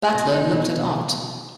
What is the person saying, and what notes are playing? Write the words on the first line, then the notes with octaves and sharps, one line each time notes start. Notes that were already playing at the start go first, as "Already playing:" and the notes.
Butler looked at aunt.
B2 D#5
D#4
B2